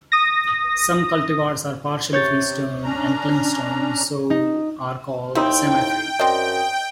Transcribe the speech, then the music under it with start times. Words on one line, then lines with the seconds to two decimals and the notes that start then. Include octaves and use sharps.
Some cultivars are partially freestone and clingstone, so are called semifree.
0.12 D#6 A#6
2.13 C3 C#5 G6 A6
2.84 C#4 D4 A#5
4.30 D#4
5.35 D#2 C4 D#4 E4 G5
6.19 F#2 C4 D4 D#5